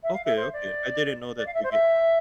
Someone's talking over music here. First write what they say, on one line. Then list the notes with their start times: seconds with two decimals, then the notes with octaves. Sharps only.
Okay, okay. I didn't know that they get
0.03 E5
0.14 F5
0.25 E5
0.36 C5
0.53 D5
1.38 D5
1.47 F5
1.54 E5
1.63 C5
1.71 E5